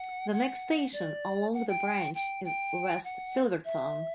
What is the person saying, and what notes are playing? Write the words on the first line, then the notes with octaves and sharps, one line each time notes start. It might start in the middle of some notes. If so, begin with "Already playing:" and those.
The next station along the branch is West Silvertown.
Already playing: F#5
F#5
D5
F#5
G5
G5
G5
F#5
E5